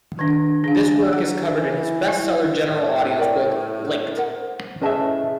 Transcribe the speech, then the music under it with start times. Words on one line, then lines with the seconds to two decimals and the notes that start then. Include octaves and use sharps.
This work is covered in his bestseller general audience book, Linked.
0.19 D#3 D4
0.64 D4 G#4 F5
1.13 F#3 F#5
1.53 E3
2.08 E4
2.67 A2
3.19 A#4 D5 G5
4.17 A#4 C5 F#5
4.82 A2 C#4 G#4 B4 D#5 E5 A5